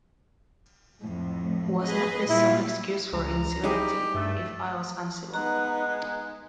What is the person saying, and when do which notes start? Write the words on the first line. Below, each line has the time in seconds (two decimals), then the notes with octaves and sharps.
Was not this some excuse for incivility, if I was uncivil?
1.01 F2 A2
1.84 G#4 B4 D#5
2.30 A#2 G3 E4 F4
3.13 C#2 A#5
3.63 G3 D#4 E4 G4 G#4
4.15 G2 A3
5.34 G#3 B3 D#4 A#5 F#6